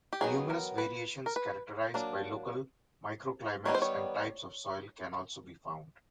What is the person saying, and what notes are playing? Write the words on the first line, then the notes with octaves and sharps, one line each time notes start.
Numerous variations characterised by local microclimates and types of soil can also be found.
G4
D#3 F#3 B3 D#4 G#4
A#4
B4
A#4
B4
F#3 A#3 D4
D#3 G3 B3 D#4 C#5
C5
C#5